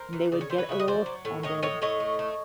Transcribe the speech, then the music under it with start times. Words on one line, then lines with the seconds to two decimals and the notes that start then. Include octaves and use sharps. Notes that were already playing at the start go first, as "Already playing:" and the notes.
And they would get a little offended.
Already playing: A#4 C5
0.13 E3
0.32 C#3 D5
0.41 C#5
0.49 E3 C5
0.58 B4 C#5
0.69 C#3 E5
0.80 D#5
0.87 F#3 C5 D5
1.06 F#3
1.25 A2
1.43 A2 C#5 D#5
1.63 A2 C#5 D#5
1.82 A2 C#5 D#5
2.00 A3
2.19 A3